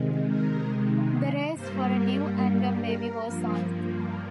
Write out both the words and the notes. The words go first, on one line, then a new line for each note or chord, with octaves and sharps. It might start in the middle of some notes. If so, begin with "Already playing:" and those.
The race for a new Angam Baby was on.
Already playing: C3 D#3 G#3
A#4
G2 G3 A#3 C5
A#4
A#4
G2 F3 A#3